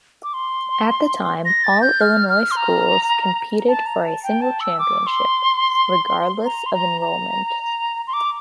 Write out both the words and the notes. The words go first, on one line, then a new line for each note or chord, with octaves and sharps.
At the time, all Illinois schools competed for a single championship, regardless of enrollment.
D6
C6
A#6
A6
G6
F6
F6
C6
A#5
A5
A#5
A5
G5
A5
E6
D6
C6
A#5
C6
A#5
A#5
C6
D6